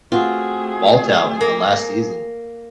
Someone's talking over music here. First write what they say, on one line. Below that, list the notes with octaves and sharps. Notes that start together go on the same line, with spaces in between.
Walt out in the last season.
A3 C4 F4 F#4 G#4
A#3